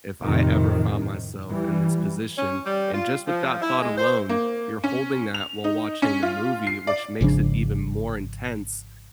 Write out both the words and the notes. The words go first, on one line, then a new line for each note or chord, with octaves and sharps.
if I ever found myself in this position" and just with that thought alone, you're holding that while watching the movie, which makes it even more intense.
F2 A2 C3 D#3
E3 G3
C#4
G3
F4
F3
E4
G#3
C5
A#3
C#4
F7
D#4
C#4
F4
C7
D5
G#1 C#3 F3 D4